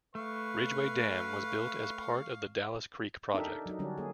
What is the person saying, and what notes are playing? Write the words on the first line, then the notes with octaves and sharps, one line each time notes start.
Ridgway Dam was built as part of the Dallas Creek Project.
A3 B4 F5 C#6
D4 D#4 G4 A4 A#4 E5
F#3 D#4
D3 F#3 G3 C#4 D4
A#3 G#4